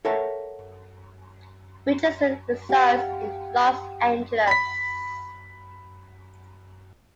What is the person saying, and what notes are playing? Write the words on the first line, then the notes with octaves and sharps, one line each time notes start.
Richardson resides in Los Angeles.
A4 A#4 C#5 E5 F#5 A5
G4 F5 F#5
B5 B6